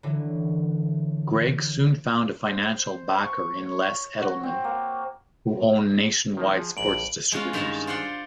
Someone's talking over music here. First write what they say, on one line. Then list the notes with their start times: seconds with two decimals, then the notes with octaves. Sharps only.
Greg soon found a financial backer in Les Edelman, who owned Nationwide Sports Distributors.
0.03 D3 E3 F#3
2.48 C5
3.20 C#6
3.58 C#5
4.22 F#4
4.43 C4
4.64 A#3
6.37 D#3 F3 A#3
6.52 F3 G#4
6.77 A#1 G2 D7 F#7
7.32 G#3 B3 C#4 F4
7.53 G2 D#3 G#3 C#4 A5 A#5
7.87 F4 C5 D5 F#5 G5